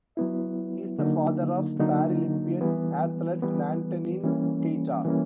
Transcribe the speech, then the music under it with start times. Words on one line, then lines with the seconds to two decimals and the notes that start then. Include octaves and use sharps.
He is the father of Paralympian athlete Nantenin Keita.
0.17 F#3 B3 E4
0.98 D3 F#3 A#3 D#4
1.79 D3 F#3 A#3 D#4
2.61 E3 G3 B3
3.42 E3 G3 B3
4.23 E3 G3 A#3 C#4
5.05 E3 G3 A#3 C#4